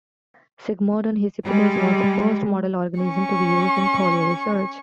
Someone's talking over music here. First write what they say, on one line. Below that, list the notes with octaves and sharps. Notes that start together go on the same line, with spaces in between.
"Sigmodon hispidus" was the first model organism to be used in polio research.
G3 G#3
C#4 C#6